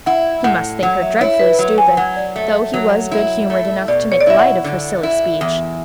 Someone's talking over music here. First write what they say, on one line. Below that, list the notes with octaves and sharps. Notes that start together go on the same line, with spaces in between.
He must think her dreadfully stupid, though he was good-humored enough to make light of her silly speech.
E4 F#5
A2 F#5
F#3 F#5
E5
E4 C#5
B4
F#3
G#5
F#3 F#5
D5
A3
F#3
E4
A3
B2 D5
C#5
D5
E4 E5
F#5
D3
E4
E2